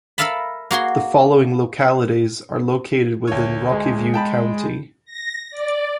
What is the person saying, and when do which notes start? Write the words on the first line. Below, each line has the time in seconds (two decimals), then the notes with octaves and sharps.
The following localities are located within Rocky View County.
0.18 A4 A#4 E5 F5 A5 B5
0.71 A#3 F#4 G#4 C6
3.27 D2 C#5
3.72 G#3
4.14 G5 A5 B5
5.05 A#6
5.51 D5